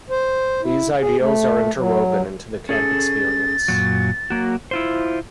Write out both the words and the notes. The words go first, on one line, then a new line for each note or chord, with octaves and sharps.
These ideals are interwoven into the camp experience.
C5
E4
G#4
A3
F#3
C#4 G#4 A4 A6
F#2 A#2 F#3
F#3 A#3 F#4
E4 F4 C5